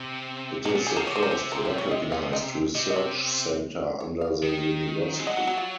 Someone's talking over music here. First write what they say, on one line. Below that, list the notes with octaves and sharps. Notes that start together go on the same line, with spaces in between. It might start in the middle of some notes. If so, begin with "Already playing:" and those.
It is the first recognized research center under the university.
Already playing: C3
A#2 D#4
A#2 C#4
C3 G#4
C#3 A#4
C3 C#5
C5
A#4
C5
A#4
C5
C#5
D#5
F5
D#5
C3 D#5
D#5
C#5
C#5
F5
D#3
G#3
F#3 D#5
F#4
F#4
F4